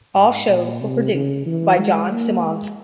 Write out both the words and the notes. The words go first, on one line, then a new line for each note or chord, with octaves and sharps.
All shows were produced by John Simmonds.
G#2
A#2
C3
C#3
E3
G#3
A#3
G#3